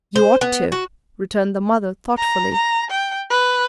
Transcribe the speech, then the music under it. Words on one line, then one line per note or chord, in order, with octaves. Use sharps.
"You ought to," returned the mother, thoughtfully.
C5
B3
F#4
A#5
A#5
G5
B4